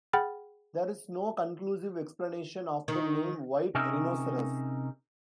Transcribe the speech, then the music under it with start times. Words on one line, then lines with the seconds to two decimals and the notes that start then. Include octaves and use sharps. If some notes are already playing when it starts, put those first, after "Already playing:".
There is no conclusive explanation of the name white rhinoceros.
0.13 G#4 F#5 G5 B5 F6 A6
2.88 D#3
3.75 C3 C#4 D#4 G#4 A#4 E5